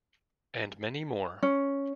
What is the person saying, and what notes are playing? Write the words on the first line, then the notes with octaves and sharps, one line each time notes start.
And many more.
C#4